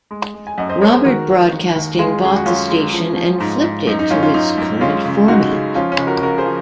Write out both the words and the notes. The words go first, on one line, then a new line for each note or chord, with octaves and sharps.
Robbert Broadcasting bought the station and flipped it to its current format.
G#3
G#3
G#5
F#2 D#5 F#5
C5 D#5
G#3 A#4 C#5
G#4 C5
D#3 F#4 A#4
D#2
D#3
D#2
G#3 F4 G#4
F#2 G#4
F#4
F#2 C#4 F4
G#3
F3
F3
G#2
G#2
F#2 D#4
D#4
F#2 C#4 F4
C#4 F4
F#2 D#4
F#2
G#3 C#4 F4
C#3
G#3 D#4 F#4
C#3
F3 C#4 F4
C#4
C#2
F#4 A#4
C#3 F#4 A#4
G#4 C5
F3